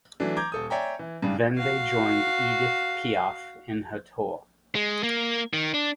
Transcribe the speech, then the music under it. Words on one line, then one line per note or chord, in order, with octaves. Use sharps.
Then they joined Edith Piaf in her tour.
E3 F#3 A3 D4
A#5 D6 G6 G#6
D#1 A4 D#6
C#5 D5 E5 G5 G#5 A#5
E3
G2 C#3 G3 D4
F#4 F5
G#3
A#3
D#3
D4